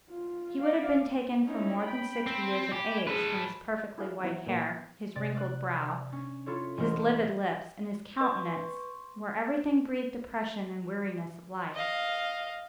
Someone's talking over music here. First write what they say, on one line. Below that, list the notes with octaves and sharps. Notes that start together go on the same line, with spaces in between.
He would have been taken for more than sixty years of age, from his perfectly white hair, his wrinkled brow, his livid lips, and his countenance, where everything breathed depression and weariness of life.
F4
D5 F5
C#4 D#4 E4
G5 B5
C4
G4 G#5 B5
G#3 G#4 A4 B4
E4 G4 G#4 B4 F5
E3 F#3 B3 E4
A#2 F3 A#3 B3
C3 D5 A6
D5 F#6
C#4
E4 F4 A4 C#5
E1 E3 A#4 C5
B4 C6 C#6
D#5 F5